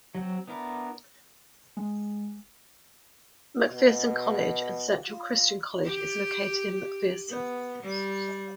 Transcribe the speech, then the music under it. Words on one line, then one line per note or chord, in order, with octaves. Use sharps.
McPherson College and Central Christian College is located in McPherson.
F#3 C4
B3 D4 E4 A#4
G#3
B2
F4
G4
B3
G3